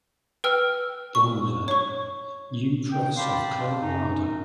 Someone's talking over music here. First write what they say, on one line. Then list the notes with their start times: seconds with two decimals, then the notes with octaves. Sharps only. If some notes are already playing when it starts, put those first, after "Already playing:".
Boulder: U Press of Colorado.
0.44 B4 G5 E6 F6
1.15 C#6
1.68 C#5 C#6
2.91 G5
3.16 D5 F5 G5 A5 B5 C6
3.82 F#2 D#4